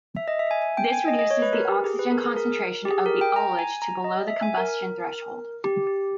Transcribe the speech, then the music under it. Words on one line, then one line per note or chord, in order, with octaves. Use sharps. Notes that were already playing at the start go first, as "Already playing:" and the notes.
This reduces the oxygen concentration of the ullage to below the combustion threshold.
E5
D#5
E5
G#5
G#5
G5
G#5
D#5
D#5
C#5
B4
A#4
G4
G#4
B4
A#4
G#4
A#4
G4
G#4
A#4
G5
A#5
G#5
A#5
D#5
E5
G#5
A#4
G4
G4